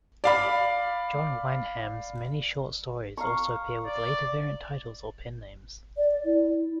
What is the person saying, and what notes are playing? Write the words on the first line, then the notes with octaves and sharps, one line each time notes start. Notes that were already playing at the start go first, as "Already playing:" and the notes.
John Wyndham's many short stories also appear with later variant titles or pen names.
D5 F5 B5
F5 A#5 C#6
D5
D5
E4